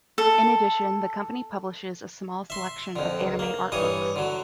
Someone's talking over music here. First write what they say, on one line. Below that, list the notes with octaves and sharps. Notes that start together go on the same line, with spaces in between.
In addition, the company publishes a small selection of anime artbooks.
A4
E5 C6
F2 D3
C#2
A#3
G2 E3 C#5 D#6
D3 F#3